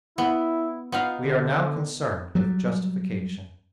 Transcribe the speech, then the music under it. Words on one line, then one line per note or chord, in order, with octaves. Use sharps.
We are now concerned with justification.
B3 E4
B3 D#4 F4 F5
D3
F#3 G3